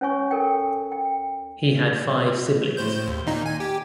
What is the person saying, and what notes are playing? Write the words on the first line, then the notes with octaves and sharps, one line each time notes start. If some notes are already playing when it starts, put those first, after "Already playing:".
He had five siblings.
C#4 C#5 G#5 C#6
A4 A#4 G5
G5
A2 C5 G6
D#2
A#2 D#3 D#4
G#5
G4